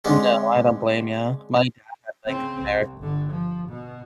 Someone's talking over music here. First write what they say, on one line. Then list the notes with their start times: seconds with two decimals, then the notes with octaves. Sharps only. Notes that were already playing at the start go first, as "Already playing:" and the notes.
No, I don't blame you. My dad had Bank of America.
0.05 D3 G#3 C4 C#4
2.27 C#3 C4
2.63 C2
2.98 G1 D3
3.30 F3
3.68 B2